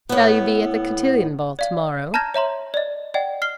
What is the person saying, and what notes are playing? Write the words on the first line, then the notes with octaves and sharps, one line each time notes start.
"Shall you be at the cotillion ball tomorrow?"
A2 B3
D5 F5
A5 A#5 F6 G6 G#6 A#6
C#5 E5 A#5 C6
D5 D#5
D5 D#5 F#5 G5
F6 C7 G7